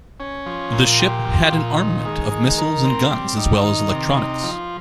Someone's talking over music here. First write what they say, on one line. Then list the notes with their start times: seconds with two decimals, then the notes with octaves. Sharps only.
This ship had an armament of missiles and guns as well as electronics.
0.20 C#4
0.46 F3
0.73 A#2
0.99 G4
1.25 F3
1.52 A#2
1.78 D#3
2.05 G#3
2.31 D#3
2.58 A#4
2.84 C4
3.11 G3
3.37 D#4
3.63 D#3
3.90 C3
4.17 D#4
4.43 F3